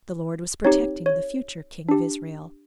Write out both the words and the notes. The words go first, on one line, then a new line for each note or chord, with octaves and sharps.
The Lord was protecting the future king of Israel.
C4 D#4 G4 C#5
C#5
D4 G4